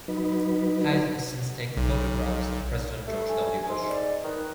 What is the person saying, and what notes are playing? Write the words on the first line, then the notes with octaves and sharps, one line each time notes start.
Heisler has since taken photographs of President George W. Bush.
F#3 D#4 B4
B1
A3 G4
G#5
G#2 C6
D5
D#3 B4